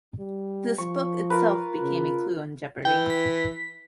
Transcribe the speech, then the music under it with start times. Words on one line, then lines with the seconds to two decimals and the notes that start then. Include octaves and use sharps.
This book itself became a clue on Jeopardy!
0.19 G3
0.78 F3 C#6
1.30 F4 A#4 B4
1.80 C#3
2.85 E3 G5
3.10 B6